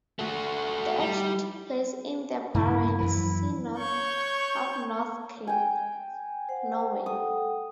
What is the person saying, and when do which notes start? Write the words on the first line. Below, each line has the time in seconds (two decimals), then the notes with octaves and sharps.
The action took place in the Barents Sea north of North Cape, Norway.
0.19 A3 F#4
1.01 G3
2.54 G2 C#3 A#3 E4
2.99 F#2 E3 F3
3.78 C#5 C#6 G6
5.47 G5 G#5
6.49 C5 F#5
7.06 A4 F#5 G5 D#6